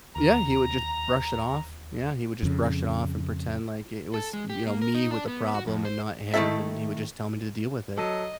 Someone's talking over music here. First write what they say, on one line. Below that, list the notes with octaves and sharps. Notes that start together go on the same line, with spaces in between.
Yeah, he would just brush it off. Yeah, he would just brush it off and pretend like i it was, you know, me with the problem and not him, and he would just tell me to deal with it.
D#2 A#5
F2 C#3
A4
G#3
G4
A#3
A#4
D#4
D4
B3
F#4
F2
C5
D#3 A3 E4 A4 E5
F#3 A4 D#5